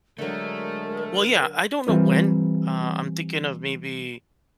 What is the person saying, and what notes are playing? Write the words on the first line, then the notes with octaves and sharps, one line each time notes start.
Well, yeah, I don't know when. Uh, I'm thinking of maybe,
D3 F#3 G#3 A3 A#4
E3 G3 C4 F4 A#4 B4